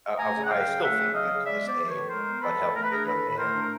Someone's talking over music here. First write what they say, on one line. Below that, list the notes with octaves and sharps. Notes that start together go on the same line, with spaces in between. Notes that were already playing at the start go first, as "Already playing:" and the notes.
uh, I was I still feel good to this day about helping the young man,
A3 G#5 A#5
C#3
F#5
F#3 F5 G5
C#3
A3 E5 F#5
C#3
F#3 D#5 F5
C#3
G#3 D5 E5
B3
C5 D5
F3
B4 C#5
A2
G#3 A#4 C5
B3
F3 A4 B4
A2
A3 A#4
B4
D4 G#4 A#4
E3 A4 B4
A2
B4
A3 A#4 C5
D4
A#4